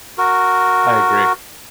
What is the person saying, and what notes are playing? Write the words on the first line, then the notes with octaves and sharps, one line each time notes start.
I agree.
F#4 A#4